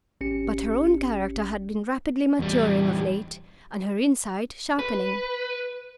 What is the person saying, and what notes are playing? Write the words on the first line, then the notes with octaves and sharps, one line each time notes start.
But her own character had been rapidly maturing of late, and her insight sharpening.
G#1 C#4 G4 C#7
E2 G3
B4